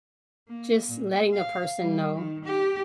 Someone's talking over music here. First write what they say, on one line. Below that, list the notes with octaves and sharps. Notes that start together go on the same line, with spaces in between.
just letting a person know.
A#3
A#2
F5
G3
D#3
G4